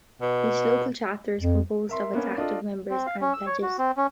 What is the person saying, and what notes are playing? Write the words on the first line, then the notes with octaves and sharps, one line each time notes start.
Each local chapter is composed of its active members and pledges.
B2
F2
A#4 E5 C6
A#3 B3 C#4
D4 F4 A4 D#5
C4
F5
C#4
E6
C#5
F#4
C4
C#4